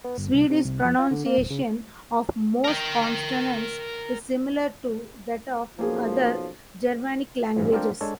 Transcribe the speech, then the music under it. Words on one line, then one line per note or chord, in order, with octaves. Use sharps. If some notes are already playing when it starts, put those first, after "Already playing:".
Swedish pronunciation of most consonants is similar to that of other Germanic languages.
B3
G1
C2
C3
C2
F2
F4
D3
A#3
D1
C#3
A#4 G5
B1 F#2 F3 A#3 G#4
A1 G2 E3 F3
C4 D4 F4 A#4 D5 G5
G#3 D4 A4 C#5